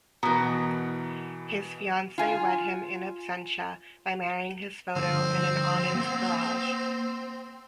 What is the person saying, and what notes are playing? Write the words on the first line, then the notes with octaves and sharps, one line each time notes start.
His fiance wed him in absentia by marrying his photo in an Anand Karaj.
B2 E3 B3 A#4 A#5
F4 G#5
G2 D3 F3 C4
A#3 F#5